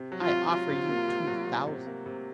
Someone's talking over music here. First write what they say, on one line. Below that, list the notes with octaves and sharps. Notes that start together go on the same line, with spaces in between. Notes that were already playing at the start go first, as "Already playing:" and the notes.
"I offer you two thousand."
Already playing: C3
F#3
F4
C3
F#3 F4
C3
A#3
C3
F#3
C3
C3
A#3
C3